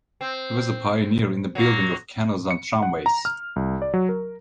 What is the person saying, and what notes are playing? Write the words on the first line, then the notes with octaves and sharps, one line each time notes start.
He was a pioneer in the building of canals and tramways.
C4
F#3 A#3
C#7
F#5
A#5
F6
C2
D5
F#3
A#4